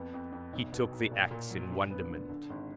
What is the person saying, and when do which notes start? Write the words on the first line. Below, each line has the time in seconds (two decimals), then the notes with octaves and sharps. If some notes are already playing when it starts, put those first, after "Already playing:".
He took the ax in wonderment.
Already playing: F2 B3
0.14 F2
0.32 F2
0.53 B1
0.73 B2
0.92 B1
1.11 A#2
1.31 A#2
1.51 F#3
1.71 D3
1.90 B3
2.10 D3
2.30 D3
2.50 G#1